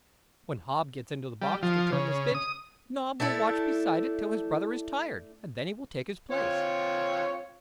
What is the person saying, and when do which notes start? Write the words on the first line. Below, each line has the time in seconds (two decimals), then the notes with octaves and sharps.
When Hob gets into the box to turn the spit, Nob will watch beside it till his brother is tired, and then he will take his place.
1.41 G3
1.63 F3
1.92 C#3
2.35 D#6
3.20 A3 D4 E4 A4
6.31 C4 F4 C#5